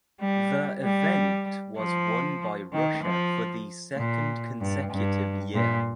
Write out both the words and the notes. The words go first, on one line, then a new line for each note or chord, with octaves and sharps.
The event was won by Russia for the second consecutive year.
G3
G3
F3
D#3
F3
A#2
G2
G2
A#2